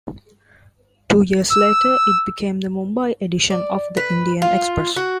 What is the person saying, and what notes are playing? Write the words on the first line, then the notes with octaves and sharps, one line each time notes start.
Two years later it became the Mumbai edition of "The Indian Express".
E6
D5
B4
F4
F#4